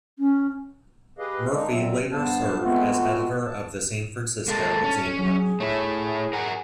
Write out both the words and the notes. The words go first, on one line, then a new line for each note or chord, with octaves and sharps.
Murphy later served as editor of the "San Francisco Examiner".
C#4
G4 G#4 B4 D#5 F5
G#3 A#3 D4 D#4
F2 A#2 F#3 C4 E5
G2 B3 C5 F5 A5
G#3 A3 B3 C4 F4 F#4
A5
G#3 A#3 A4 A6
C#4
F#3 G#4
A3 E4 C#5
A#4 F#5 G#5